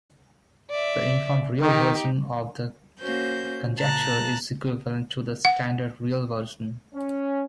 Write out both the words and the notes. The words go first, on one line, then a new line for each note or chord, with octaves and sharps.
The uniform real version of the conjecture is equivalent to the standard real version.
D5 E5
D#3 D#4 G4
A#3 C#4 F#4 C5 G6
A#2 A5 A#5 F#6
F#5
C#4